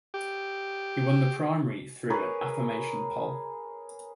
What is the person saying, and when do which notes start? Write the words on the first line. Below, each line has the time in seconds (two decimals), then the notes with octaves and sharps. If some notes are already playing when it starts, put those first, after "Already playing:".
He won the primary through an affirmation poll.
0.14 G4
2.10 G#4 A#4 B4 C#5